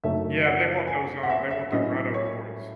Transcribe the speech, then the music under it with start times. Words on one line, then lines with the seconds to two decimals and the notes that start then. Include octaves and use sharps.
Yeah, they want those, um, they want the rhino horns.
0.03 F#2 C#3 F#3 A3 D#4 E5
0.46 F#5
0.87 G#5
1.23 F#5
1.29 E5
1.51 E5
1.72 A2 F#3 C#4 E4 D#5
2.14 C#5